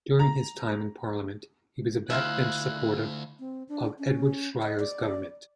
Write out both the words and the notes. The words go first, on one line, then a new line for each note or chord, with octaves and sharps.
During his time in parliament, he was a backbench supporter of Edward Schreyer's government.
A#5
D2 E4 F4 F#6
C4
D4
C#4
D#5
D5